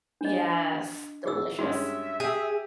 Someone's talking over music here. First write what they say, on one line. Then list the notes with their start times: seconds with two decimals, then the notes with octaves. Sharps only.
Yes, delicious.
0.21 D4 D#5
1.26 G#4 E6
1.59 G2 G#3 C#4 F#4 E5
2.20 G4 G#4